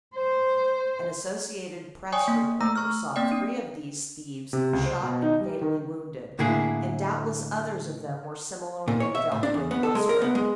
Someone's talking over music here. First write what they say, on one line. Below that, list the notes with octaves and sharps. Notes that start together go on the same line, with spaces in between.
An associated Press reporter saw three of these thieves shot and fatally wounded, and doubtless others of them were similarly dealt with elsewhere.
C5
C#5 D5 G5 G#5 C#6 D#6
A#3
A3 A#5 E6
C#6 F6
A#3 C4 D5 G5
D4
C3
C#2
C5
B2
D#4
G3
D#3
A2 D3 A#3 E4 G#4
A#2
C#5
E5
A2
D4
E2
B3
A4
G#3
A#4
B3
G#3